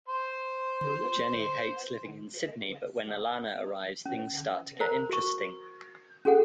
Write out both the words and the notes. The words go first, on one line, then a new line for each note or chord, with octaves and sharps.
Jenny hates living in Sydney, but when Alana arrives things start to get interesting.
C5 C6
C#4
A#4 C5 A#5
F#4 C#6
C#4 F#4 G#4 A4 F#5 G5